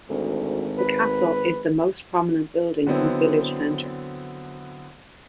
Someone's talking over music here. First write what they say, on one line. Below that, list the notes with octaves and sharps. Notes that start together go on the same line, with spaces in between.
The Castle is the most prominent building at the village centre.
G#1 D2
B4
D3 F#3 B3 C4 E4